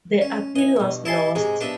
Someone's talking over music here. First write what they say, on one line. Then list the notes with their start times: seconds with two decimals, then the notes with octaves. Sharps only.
The appeal was lost.
0.21 C#4
0.56 E3 D#5 G#5
0.76 G2 B2
1.05 E4 D#5 G#5 A5 C6
1.35 G#2 C3 G#3 G#4
1.61 F3 B3 D4 D#5 E5